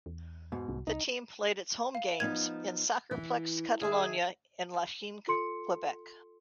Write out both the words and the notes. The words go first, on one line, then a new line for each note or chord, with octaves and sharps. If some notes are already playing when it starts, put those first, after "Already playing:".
The team played its home games in Soccerplexe Catalogna in Lachine, Quebec.
E2
G#2 B2
C2
C2 D#4
F5
F3 B3 D#4 G#6
E3
D#3 G#4 E5
F4 A4 C6 C#7